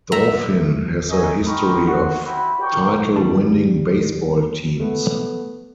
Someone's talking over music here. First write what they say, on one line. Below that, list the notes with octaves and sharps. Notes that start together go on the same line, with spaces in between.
Dauphin has a history of title-winning baseball teams.
A3 E5 A#5
D#4 F#4 C#5 D#5 E5 G#5
G4 A#4 C5 D#5 B5 C#6
F#4
C4 E4 F#4 B5
A#4 D5 G5 C#6
D#2 G3 A5
A3 B3